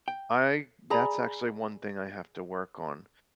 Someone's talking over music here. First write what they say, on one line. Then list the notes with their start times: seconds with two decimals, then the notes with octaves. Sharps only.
I that's actually one thing I have to work on.
0.08 G5
0.90 G#4 D5 A#5 B5